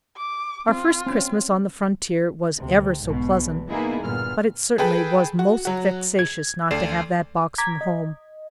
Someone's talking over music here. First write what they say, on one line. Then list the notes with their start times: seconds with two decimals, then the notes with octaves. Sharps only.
OUR first Christmas on the frontier was ever so pleasant, but it certainly was most vexatious not to have that box from home.
0.17 D6
0.69 C4 F4
1.07 C4 C#4
2.58 D2 C3
3.03 B1 G#2 B2
3.39 E2
3.69 A#3 B3 D#4 E4 G#4
4.03 G1 A#2 B3 F6
4.78 G#4 A4 B4 G5 B5
5.39 F#4
5.65 F#3 F#4
6.19 G#6
6.71 D2 D4 C7 E7
7.58 A#5 D6 G#6 B6
7.81 D#5